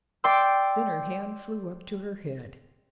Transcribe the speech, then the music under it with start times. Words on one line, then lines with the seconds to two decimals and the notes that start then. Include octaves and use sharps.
Then her hand flew up to her head.
0.24 D5 G5 C6 D6 E6